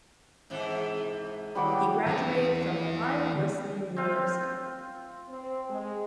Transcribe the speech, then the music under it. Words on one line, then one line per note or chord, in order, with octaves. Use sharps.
He graduated from Ohio Wesleyan University.
G#2 C3 E3
D#2 G#2 G3 F#4 D5
E3 B3
C4 F4 G5
C4
G#3